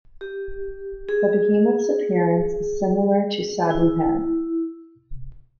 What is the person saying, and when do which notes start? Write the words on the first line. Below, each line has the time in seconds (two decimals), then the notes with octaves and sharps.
The Behemoth's appearance is similar to Sadu-Hem.
0.21 G4
1.09 G#4
3.71 E4